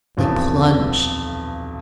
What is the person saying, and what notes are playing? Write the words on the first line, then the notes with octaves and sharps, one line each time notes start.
They plunged.
D#1 B1 F2 E3 B3 A5